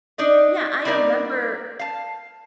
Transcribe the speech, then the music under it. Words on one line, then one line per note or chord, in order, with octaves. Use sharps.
Yeah. I remember
D4 D#4 D5 D#5
G3 C4 D#4 A#4 D5
F5 A5